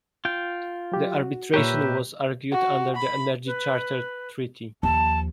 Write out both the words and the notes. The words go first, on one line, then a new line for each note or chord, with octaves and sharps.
The arbitration was argued under the Energy Charter Treaty.
F4 G5
F#3 G4
F#4
A#2 G4 B4 C#5 E5 A#5
F#4
B5
B4
D#2 F3 A5